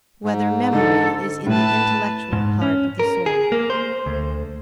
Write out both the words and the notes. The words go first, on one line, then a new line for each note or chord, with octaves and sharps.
Whether Memory Is in the Intellectual Part of the Soul?
G#2
D3 D#4 A4
A2 B4 A5
G#2
C#4
A#4
G#4
A#3
C5
D2